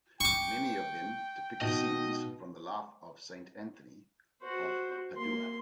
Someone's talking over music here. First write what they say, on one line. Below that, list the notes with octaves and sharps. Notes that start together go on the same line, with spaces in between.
Many of them depict scenes from the life of Saint Anthony of Padua.
G5 C#6 D6
B2 D#4 D#5
F#4 C5
A#3 C6